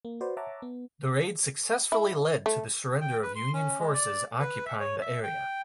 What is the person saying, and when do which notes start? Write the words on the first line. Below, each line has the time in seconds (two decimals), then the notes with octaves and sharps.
The raid successfully led to the surrender of Union forces occupying the area.
0.05 A#3
0.21 F#4 B4 C5 D5
0.37 C#5 E5 F#5 A5 A#5 D6
0.62 B3
1.92 E4
2.46 A3
3.01 G5
3.23 B4
3.36 C6
3.54 C#4
3.79 G#3
3.93 D5
4.40 B4
4.66 E5
4.80 C#5
5.01 E5
5.23 G5